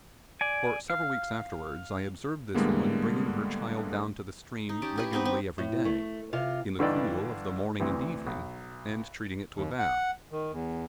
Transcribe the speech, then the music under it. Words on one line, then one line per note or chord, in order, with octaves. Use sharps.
For several weeks afterwards I observed this woman bringing her child down to the stream regularly every day, in the cool of the morning and evening and treating it to a bath.
D5 G#5
F5
A2 D3 G3 G#3 A#3 B3
D#4
C#4 G4 A5
E4 G4 B4
B3 C4 D#4 B4
C4
A2
A3
C3 F4
G2 D3 E3 D#4 D5 G5
D2 C3 E3
B1
D#2
F#5
D#3
E2